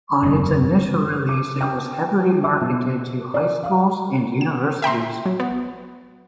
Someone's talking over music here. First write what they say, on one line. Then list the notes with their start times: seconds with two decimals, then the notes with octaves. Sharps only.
On its initial release it was heavily marketed to high schools and universities.
0.23 F#1 E2 G2
1.29 D6
1.61 G5
2.44 E5
2.61 B2
3.34 D5
3.63 F5
4.41 E7
4.82 E5 G5 A#5 C6
5.26 F#3
5.40 B3